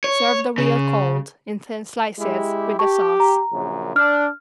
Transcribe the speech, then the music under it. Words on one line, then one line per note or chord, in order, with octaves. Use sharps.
Serve the veal cold, in thin slices, with the sauce.
C#5
C#3
G#3 E4 G4
G4 A5 C#6
A#5
A#1 F#2 C#3
D4 F6